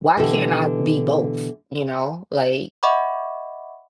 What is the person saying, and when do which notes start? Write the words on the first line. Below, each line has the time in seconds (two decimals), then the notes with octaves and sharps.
Why can't I be both, you know, like
0.17 B2 D3 E3 G4 A4
2.83 D#5 E5 F#5 B5 C#6 D6